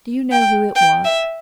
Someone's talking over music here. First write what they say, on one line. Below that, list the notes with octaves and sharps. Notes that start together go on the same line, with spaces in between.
"Do you know who it was?"
G5
G5
E5